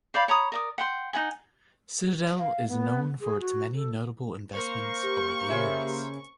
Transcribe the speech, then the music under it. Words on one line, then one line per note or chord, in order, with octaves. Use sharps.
Citadel is known for its many notable investments over the years.
C5 D5 F5 B5
C#5 A#5 B5 D#6
A#4 D5 D#6
F#5 G5 C6
D#4 F#4 F#5 G#5
F5
B3
G#4
F#4
A4
A#3 A#4 C5 C#6
G4
C#3 G#4 E5